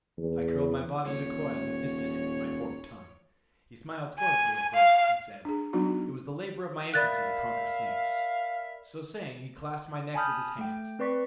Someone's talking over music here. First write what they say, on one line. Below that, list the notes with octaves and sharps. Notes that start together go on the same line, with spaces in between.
I curled my body in a coil and hissed at him with my forked tongue. He smiled scornfully at this, and said, 'It was the labor of my infancy to conquer snakes.' So saying he clasped my neck with his hands.
E2
D#1 C#5
G#5
F5
D4 G#4
F#3 B3 D4 D#4 F#4
A#4 D5 E5 F5 B5 F#6 A6
G#5 A5 B5 D#6 F6 G6
A3 G5
C4 B4 D5 C#6 B6